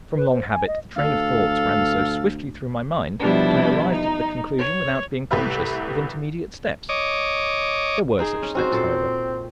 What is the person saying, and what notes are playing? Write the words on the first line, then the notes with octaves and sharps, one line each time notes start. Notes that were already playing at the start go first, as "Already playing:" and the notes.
From long habit the train of thoughts ran so swiftly through my mind, that I arrived at the conclusion without being conscious of intermediate steps. There were such steps, however.
B4
C5
G#5
D#5
D2 A4 F5
B2 F3 G3 D4 E4
D#4
C#5
C2 A2 G4 B4 E5
C#5 D#5 D6
C4 D#4 G#4
C#4
C4 C#4 F#4 C5
A#2 A4 C5